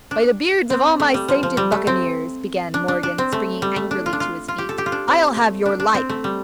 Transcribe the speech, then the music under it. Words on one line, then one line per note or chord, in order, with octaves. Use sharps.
"By the beards of all my sainted Buccaneers," began Morgan, springing angrily to his feet, "I'll have your life!"
D4
C4
A3
G3
F3
F3
G3
A3
C4
D4
D4
D4
C4
A3
G3
A3
D4
F4
D4
F4
F4
G4
A4
G4
F4
D4
C4
A3
D4
D4
C4
A3
G3